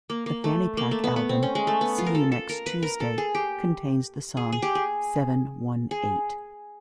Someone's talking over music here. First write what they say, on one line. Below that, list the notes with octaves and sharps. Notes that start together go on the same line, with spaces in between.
The FannyPack album "See You Next Tuesday" contains the song "Seven One Eight".
A#3
A#3
A3
A#3
A3
B3
B3
C4
C#4
G#3
A3
B3
F4
A#4
A4
A4
A#4
B4
A#4
A4
G#4
G4
G#4
G#4
G4
G#4
G#4